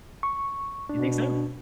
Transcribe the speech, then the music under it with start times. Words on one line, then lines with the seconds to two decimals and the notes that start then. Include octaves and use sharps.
You think so?
0.23 C#6
0.89 B2 D4